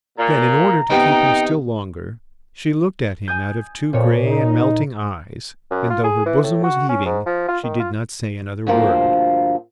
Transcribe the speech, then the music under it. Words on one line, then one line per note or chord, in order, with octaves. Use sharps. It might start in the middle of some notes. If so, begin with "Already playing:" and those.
Then, in order to keep him still longer, she looked at him out of two grey and melting eyes, and though her bosom was heaving, she did not say another word.
A#2 A#5
C3 B3 D#4 G5
G#5 D#6 G6
F2 A#2 C4 C#5
D#4
F#2
F4
G#4
E3
A2
F#4
C#4
G#2
F3
F4
D#3
F4
D2 G2 F3 A#3 C4